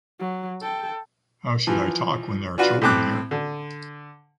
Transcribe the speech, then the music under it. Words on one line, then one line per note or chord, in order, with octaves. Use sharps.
How should i talk when there are children here?
F#3
A4 G5
E3 F3
D4 F4 F#4 B4
A2 A3 C4 D6 F#6
D3